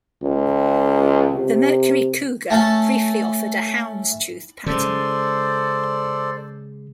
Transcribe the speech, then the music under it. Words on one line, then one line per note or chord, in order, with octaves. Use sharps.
The Mercury Cougar briefly offered a houndstooth pattern.
C#2
C3
A3 C#4 A5
C#3 G#3 A4 C5 D5